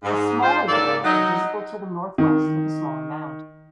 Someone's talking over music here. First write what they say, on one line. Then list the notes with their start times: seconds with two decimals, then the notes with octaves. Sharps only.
A smaller burial is visible to the northwest of the smaller mound.
0.04 G#2
0.43 F4 C5
0.68 D#2 G#2 C#3 A#3 A4 D5
1.04 F#3 D#4
2.18 D#3